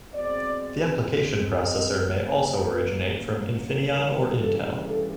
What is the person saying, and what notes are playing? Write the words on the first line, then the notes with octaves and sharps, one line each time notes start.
The application processor may also originate from Infineon or Intel.
B2 G#3 C4 D5
D#5
C#3 F#3 A#3
B4
D2 C#3 E3 G3 A#4
A4
A4